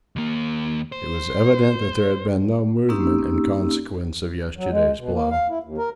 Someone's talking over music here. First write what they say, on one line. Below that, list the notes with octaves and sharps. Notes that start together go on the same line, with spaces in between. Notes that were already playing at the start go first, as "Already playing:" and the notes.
It was evident that there had been no movement in consequence of yesterday's blow.
D#2 A#3
C5
A#3 C4 C#4 D#4 G4 E6
F#3
G#3
B2
A#3
F5
E4
D#2
A#4